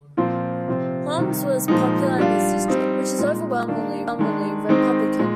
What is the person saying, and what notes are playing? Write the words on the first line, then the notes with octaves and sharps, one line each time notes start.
Holmes was popular in his district, which is overwhelmingly Republican.
A#2 F3 C4 F4
C3 F3 C4 F4
C3 D#3 G3
A#2 F3 G#3 D#4
G3 D4 F4
G3 C4 D#4
A#2 G#3 D#4
D#3 A#3 D4
D#3 G#3 D4
D#3 G#3 C4 D#4
A#2 G#3